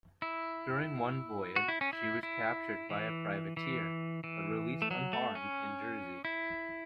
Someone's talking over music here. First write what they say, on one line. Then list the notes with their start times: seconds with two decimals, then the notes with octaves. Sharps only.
During one voyage she was captured by a privateer, but released unharmed in Jersey.
0.22 E4
1.56 F#4
1.68 E4
1.81 C#4
1.93 E4
2.23 E4
2.90 E3
3.57 E3
4.24 E3
4.82 A3
4.91 F#3
5.13 A3
5.35 C#4
6.25 E4